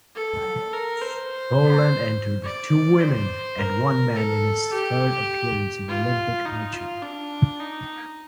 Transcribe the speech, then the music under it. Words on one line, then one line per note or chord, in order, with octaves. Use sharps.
Poland entered two women and one man in its third appearance in Olympic archery.
A4
A#4
C5
D5
C5
A#4
A4
G4
F4
D#4
F4
D4
D#4